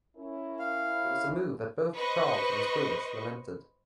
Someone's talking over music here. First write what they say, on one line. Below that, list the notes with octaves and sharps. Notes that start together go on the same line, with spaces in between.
It was a move that both Charles and Squillace lamented.
C#4 E4 A#4
F5
B4 C5 D#5 C#6